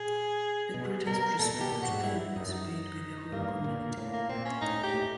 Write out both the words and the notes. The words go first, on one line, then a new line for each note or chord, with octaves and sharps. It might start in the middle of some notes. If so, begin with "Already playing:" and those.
The greatest respect to them is paid by the whole community.
Already playing: A#2 G#4
B2
B2 A#4
A#2 A4
B2
G4
A#2
F#4
G#2
G2 E4
E4
F#2 D#4
D#4
G2 A#3
A2
A#2
A#2
A2
A#3
A#2 C4
C#4
A2 D#4
A2
G4
A2